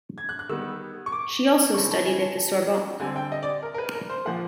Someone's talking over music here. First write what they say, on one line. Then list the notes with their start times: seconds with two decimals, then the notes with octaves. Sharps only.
She also studied at the Sorbonne.
0.18 G#6
0.29 F#6
0.39 F#6
0.49 D#3 G3 B3 E6
1.06 C#6
1.12 D6
1.74 C#3 E3 G3 C4 C#6
1.91 A5
2.06 G#5
2.21 A5
2.37 A5
3.00 D3 G3 C4 G#5
3.16 G5
3.32 D#5
3.43 D5
3.63 A#4
3.74 A#4
3.78 B4
3.95 A#4
4.10 C5
4.25 A#2 F3 A#3 F#5